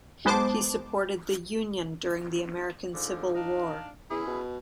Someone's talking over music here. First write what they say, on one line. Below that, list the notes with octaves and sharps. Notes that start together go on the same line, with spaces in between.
He supported the Union during the American Civil War.
B1 G#3 B3 C5 A5 D6
G#2 D3 F3
D4 D#4 F5
E2 C#4 E4 G#4
B2